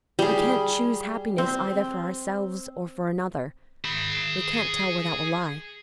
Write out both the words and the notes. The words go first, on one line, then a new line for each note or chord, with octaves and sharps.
We can't choose happiness either for ourselves or for another; we can't tell where that will lie.
G3 G#4
C4
G#4 B5